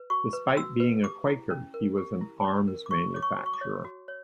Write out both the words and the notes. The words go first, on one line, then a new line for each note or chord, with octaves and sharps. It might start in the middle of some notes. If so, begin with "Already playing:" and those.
Despite being a Quaker he was an arms manufacturer.
Already playing: B4
F#4 C#6
B4
F#4 E6
B4
G4 D6
E4
C#4
A#4
G4
E4
C#4
A#4
D6
F#4 C#6
C#5 D6
C#6
F#4
C#6
D6
C#5
F#4
C#5